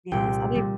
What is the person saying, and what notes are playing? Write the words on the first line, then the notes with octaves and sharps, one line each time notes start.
Yes, I'll be
C2 A#2 G3 G5
A#2 G3